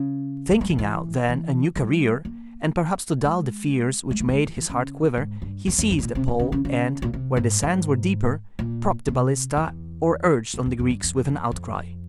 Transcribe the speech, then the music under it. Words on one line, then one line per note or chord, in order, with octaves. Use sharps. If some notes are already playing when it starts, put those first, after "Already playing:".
Thinking out then a new career, and perhaps to dull the fears which made his heart quiver, he seized a pole and, where the sands were deeper, propped the balista, or urged on the Greeks with an outcry.
Already playing: C#3
G#3
G3
F3
E3
E3
G3
A#3
G#3
G#3
A#3
G3
G#3
E3
E3
C#3
G#2
G2
E2
F2
G2
G#2
A#2
C3
C3
C#3
C#3
C#3
A#2
C3
G#2
G#2
A#2
C3
E2
E2
E2
F2
G2
F2
F2